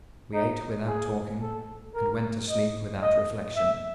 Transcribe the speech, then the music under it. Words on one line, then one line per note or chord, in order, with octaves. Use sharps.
We ate without talking, and went to sleep without reflection.
D#4
G#4
A4
A#4
D#5
D#5
E5